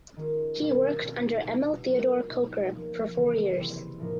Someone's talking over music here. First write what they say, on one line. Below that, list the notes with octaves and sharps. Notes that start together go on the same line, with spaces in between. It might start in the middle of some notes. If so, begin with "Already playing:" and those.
He worked under Emil Theodor Kocher for four years.
D#3 G#3 C#4 F4
B2 G3 A#3 C#4
B2 G3 C4 D#4
B2 G3 B3 D4 F4
F#3 A#3 D4 F4
B2 G3 B3 D#4
F3 A#3 C#4
C#3 E3 G3 A#3
C3 E3 G3 C4 E4
A2 F3 A#3 D#4